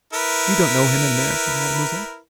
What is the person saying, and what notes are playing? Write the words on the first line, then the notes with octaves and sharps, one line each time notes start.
"You don't know him in America, mademoiselle?"
E4 A#4 B4